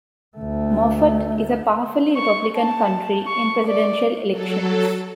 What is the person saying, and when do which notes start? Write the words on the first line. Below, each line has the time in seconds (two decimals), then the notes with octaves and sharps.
Moffat is a powerfully Republican county in Presidential elections.
0.37 D2 A3
2.16 C#6
2.57 A5
3.27 C#6
3.67 D5
4.30 F#3 A4